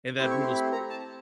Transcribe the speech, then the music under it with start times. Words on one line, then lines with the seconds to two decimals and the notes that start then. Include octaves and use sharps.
in that brutal sport
0.19 A3 C4 E4 G4 C6
0.31 C#6
0.42 C6
0.55 B5
0.72 A#5
0.90 A5